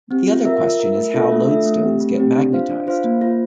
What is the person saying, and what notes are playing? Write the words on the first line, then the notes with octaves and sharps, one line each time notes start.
The other question is how lodestones get magnetized.
C4 G4
F4
A#4 E5
F4
A#4 E5
A3
D4 F4 A4 E5
A3
D4 F4 A4 E5
A3
C4 G4
A3
C4 G4
D4
F4 C5 F5
D4
F4 C5 F5
A#3
F4 C5